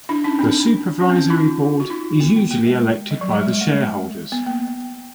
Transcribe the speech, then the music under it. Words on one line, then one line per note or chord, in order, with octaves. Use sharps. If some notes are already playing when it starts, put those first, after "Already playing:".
The Supervisory board is usually elected by the Shareholders.
D4 E4
C#4 D#4
C4 D4
C#4
C4
C#4
D#4 F4
F#4
D#4 F4
B3
A#3
A#3
G#3
G3
F#3
G3
G#3
A3
G#3
B3
A#3